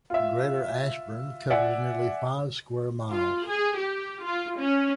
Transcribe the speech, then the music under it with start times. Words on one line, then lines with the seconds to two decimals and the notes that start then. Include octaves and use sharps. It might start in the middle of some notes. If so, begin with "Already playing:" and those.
Greater Ashburn covers nearly five square miles.
0.10 F4 E5
1.50 D5 E5 F#5 G#5
3.11 F4
3.47 G#4
3.77 G4
4.24 F4
4.58 C#4